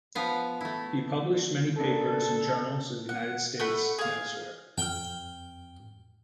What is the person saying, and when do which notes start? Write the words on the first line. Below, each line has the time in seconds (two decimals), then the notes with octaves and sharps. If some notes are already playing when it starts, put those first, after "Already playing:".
He published many papers in journals of the United States and elsewhere.
0.15 F3 B3 F5
0.61 A3 E4
1.78 C#3 A#3 D4 A4
3.09 F#5
3.60 A3 F#5 B5
3.98 G#4 F5
4.78 F2 G5 F6